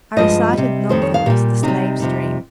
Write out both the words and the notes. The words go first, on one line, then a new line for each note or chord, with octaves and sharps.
I recited Longfellow's "The Slave's Dream".
G2 F3 G#3 D#5
C3 G3
F2 D#3 G3 C5
C#5
F5
A#2 G3 G4
C3 G3 D#4
F2 C3 G3